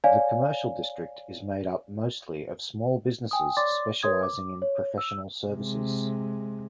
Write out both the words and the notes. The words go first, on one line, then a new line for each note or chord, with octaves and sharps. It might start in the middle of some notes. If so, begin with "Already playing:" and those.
The commercial district is made up mostly of small businesses specialising in professional services.
C#5 D5 F5 G#5
G5 G#5 D#6
C#5 D5 C6 D6 A6
A#4 B4 C#5 C6 D#6 G#6
D6
C#5
E6
C3 G#3